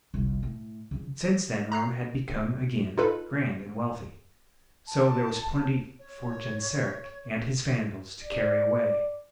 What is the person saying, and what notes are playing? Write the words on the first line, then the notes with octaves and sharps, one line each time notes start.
But since then Rome had become again grand and wealthy, so there was plenty for Genseric and his Vandals to carry away.
G1 C2
A2
C#3 F3
A#5 F#6 C7
D#4 F4 A4 B4
A5
C#5
D5